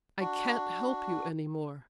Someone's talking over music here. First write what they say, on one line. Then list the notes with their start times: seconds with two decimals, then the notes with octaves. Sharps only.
I can't help you any more.
0.20 D4 F#4